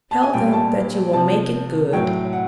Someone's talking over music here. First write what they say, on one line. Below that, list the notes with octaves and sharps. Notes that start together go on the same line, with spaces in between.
Tell them that you will make it good.
A5
G#5
A#2 G3 G5
A5
C3 F3 A5
A2 F#3 G5
F#5